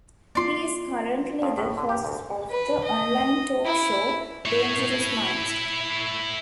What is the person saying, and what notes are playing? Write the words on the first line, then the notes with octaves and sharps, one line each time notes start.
He is currently the host of the online talk show "Dangerous Minds".
B3 F4 D5 C6
F2
A2
D3
G4
D2
B4
D#5
E4
E4 C#5